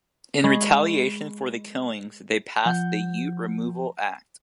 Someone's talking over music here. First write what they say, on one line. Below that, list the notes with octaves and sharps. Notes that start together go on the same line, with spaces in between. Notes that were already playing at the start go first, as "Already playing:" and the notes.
In retaliation for the killings, they passed the Ute Removal Act.
G#3 B5 C#6
F3 F#5 G6